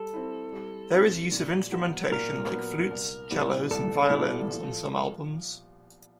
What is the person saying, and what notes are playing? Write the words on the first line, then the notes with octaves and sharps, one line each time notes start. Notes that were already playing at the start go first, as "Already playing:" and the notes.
There is use of instrumentation like flutes, cellos and violins on some albums.
Already playing: G3 A4
C4 E4
G3
C4 E4
A#2
F#3 B3
A#2 A#4
F#3 B3
C2
A#2 G3 B3 E4
C2 A4
A#2 G3 B3 E4
F3